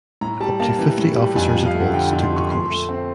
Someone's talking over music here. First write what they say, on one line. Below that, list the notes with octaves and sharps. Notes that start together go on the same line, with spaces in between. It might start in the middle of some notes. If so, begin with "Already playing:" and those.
Up to fifty officers at once took the course.
A2 A#5
G3 A5
A#3 A5
E3
A2
G3
F2 G#5
F3
F5
A3
F#5
D3 G5
F2 G5
C6
F3
C#6
A#2 C6
A3
C4